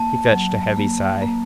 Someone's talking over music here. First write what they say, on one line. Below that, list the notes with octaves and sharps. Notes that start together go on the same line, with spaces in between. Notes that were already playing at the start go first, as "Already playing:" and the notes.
He fetched a heavy sigh.
Already playing: A#3 A5
F#3
A#3
A#3